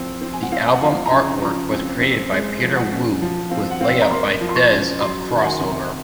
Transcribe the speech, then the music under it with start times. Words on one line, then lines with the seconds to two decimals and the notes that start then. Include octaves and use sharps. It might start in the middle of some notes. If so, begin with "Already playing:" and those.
The album artwork was created by Peter Wu with layout by Dez of Crossover.
Already playing: F3 C4
0.22 C4
0.33 G#5
0.43 F#5
0.52 C4 F5
0.65 G#5
0.74 F#5
0.82 F3 F5
1.06 A#5
1.12 C#3 G#5
1.42 F3 A#5
1.72 C4
2.01 C4
2.32 G#3
2.62 F3
2.76 F#5
2.92 C#4
3.22 F3
3.51 C4 F5
3.71 F#5
3.81 C4 F5
4.01 A#5
4.11 A#3 C6
4.41 F3
4.49 C6
4.56 C#6
4.72 C#4
5.01 F#3 C6
5.31 D#3
5.41 F#5
5.46 G#5
5.61 C3